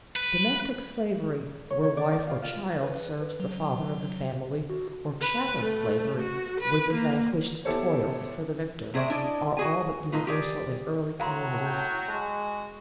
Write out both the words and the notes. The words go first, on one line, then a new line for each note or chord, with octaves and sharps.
Domestic slavery, where wife or child serves the father of the family, or chattel slavery, where the vanquished toils for the victor, are all but universal in early communities.
B4
C#5
C#5
D5
D5
F4
F4
B4
F#3
F#4
B4
A3
F#4
B4
A#3
B3 E4 G4 A4 C5 C#5
C3 G#4 C5 D5 E5
D4 E4 D5 D#5
F#4 G#4 G#5
A2 D#4 F4 B4
G4 G#4 D5
A2 F#3 F5 A#5 C6
G5
G#3 F#4 A5